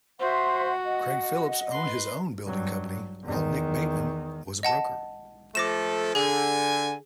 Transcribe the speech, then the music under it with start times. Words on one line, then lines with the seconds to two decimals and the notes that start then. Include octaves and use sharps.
Craig Phillips owned his own building company, while Nick Bateman was a broker.
0.19 F#4 C5 E5 F#5 C6
0.84 D#5
1.71 B4 C6
2.45 G2 F#3
3.23 E2 D#3
4.63 D#5 F#5 A5
5.55 F3 A3 A4 D6 A#6 E7
6.15 D3 G#4 G#5